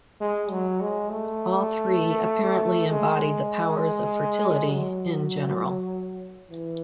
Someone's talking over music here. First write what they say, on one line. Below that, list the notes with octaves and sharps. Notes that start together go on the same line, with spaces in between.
All three apparently embodied the powers of fertility in general.
G#3
F#3
G#3
A3
G#3
F#3
E3